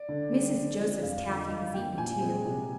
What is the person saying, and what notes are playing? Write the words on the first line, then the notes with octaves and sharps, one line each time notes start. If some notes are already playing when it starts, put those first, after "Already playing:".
Mrs. Joseph's taffy was eaten too.
Already playing: D5
D3
G3 C4
D3
F3 C4
F2 F5
D3 F3
D#5
G2 F5
F3 A#3 G5
A#2 G#5
G#3 C4
C3